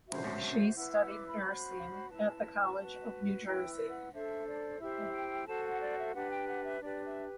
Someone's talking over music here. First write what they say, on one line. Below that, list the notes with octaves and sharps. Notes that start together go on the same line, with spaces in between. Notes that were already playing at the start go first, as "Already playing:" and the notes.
She studied nursing at The College of New Jersey.
F#4 C5 E5
E4 B4 F#5
F#5
D6
B5
F#4 C5
E4 B4 A5
F#4 B4
E4 B4 G5
F#5
D4 A4 C5 E5
D5
E4 G4 C5 E5
G5
F#4 A4 C5 A5
F#5
D5
E5
D4 G4 B4 F#5
G5
F#5
E5
D4 G4 B4 D5
E5